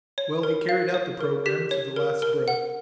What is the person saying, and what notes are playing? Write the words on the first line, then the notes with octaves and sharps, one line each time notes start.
Well, he carried out the programme to the last breath.
C#5
A#4
F5
C#5
A#4
G4 B6
C#5
A#4
A#4
F#5